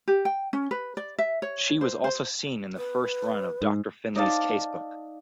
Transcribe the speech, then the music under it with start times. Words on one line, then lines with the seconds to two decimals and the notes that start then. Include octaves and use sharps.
She was also seen in the first run of "Doctor Finlay's Casebook".
0.08 G4
0.25 G5
0.53 C#4
0.71 B4
0.97 D5
1.18 E5
1.42 C#5
1.81 C5
2.04 C5
2.77 B4
3.62 G#2
4.15 D#4 D5 D#5 F5 A5